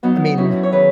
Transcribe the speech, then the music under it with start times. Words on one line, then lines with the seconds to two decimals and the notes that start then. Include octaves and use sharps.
I mean
0.03 F#3 B3 D#4
0.26 D#4
0.38 F#2 C#4 E4
0.63 C#5
0.72 D#3 G#4 B4